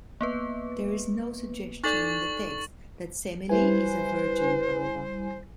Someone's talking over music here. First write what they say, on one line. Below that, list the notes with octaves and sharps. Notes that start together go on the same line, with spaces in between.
There is no suggestion in the text that Semele is a virgin, however.
A#3 B3 B4
D#4 A4 D5 C#6 A6 F#7
G3 E4 B4 C5 G#5